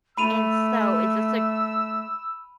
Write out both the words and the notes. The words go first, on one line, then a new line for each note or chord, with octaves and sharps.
and so is this a c
A3 B5 E6 D#7 F7